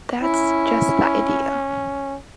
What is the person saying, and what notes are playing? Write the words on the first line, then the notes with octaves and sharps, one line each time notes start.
That's just the idea.
C#4 E4